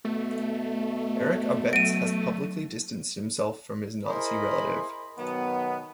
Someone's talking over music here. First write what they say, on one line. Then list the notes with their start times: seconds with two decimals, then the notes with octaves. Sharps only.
Eric Abetz has publicly distanced himself from his Nazi relative.
0.05 B2 A3
1.73 F#3 D7 D#7
4.07 E4 G#4 A#4 C5 D#5 B5
5.18 B2 D#3 F#3 B3